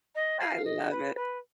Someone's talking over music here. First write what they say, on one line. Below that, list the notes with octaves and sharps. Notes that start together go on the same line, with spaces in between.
I love it.
D#5
F5
D#5
B4
B4